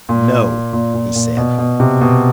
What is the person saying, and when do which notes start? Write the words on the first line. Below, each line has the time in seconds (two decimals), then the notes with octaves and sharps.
"No!" he said.
0.09 A#2
0.73 A#2
0.94 A#2
1.16 A#2
1.37 B2
1.58 B2
1.80 C3
2.01 B2